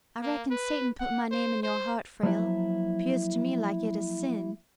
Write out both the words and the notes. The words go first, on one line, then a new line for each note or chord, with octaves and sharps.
"I reckon Satan put my name in your heart, Frale; 'pears to me like it is sin."
A#3
B4
F#5
C5
C5
F3 F#3 A#3 E4